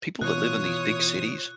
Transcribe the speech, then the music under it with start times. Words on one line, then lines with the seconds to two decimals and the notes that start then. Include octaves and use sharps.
people that live in these big cities,
0.21 B2 E3 F4 C#5 D#6 F#6